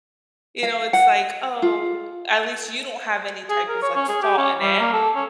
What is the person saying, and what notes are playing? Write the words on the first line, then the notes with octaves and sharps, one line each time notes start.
you know, it's like, "Oh, at least you don't have any type of, like, fault in it."
F5
F#5
F4
G#4
A#4
C#5
C#4
G#4
G4
C#4
G3
A#3
A4
C#4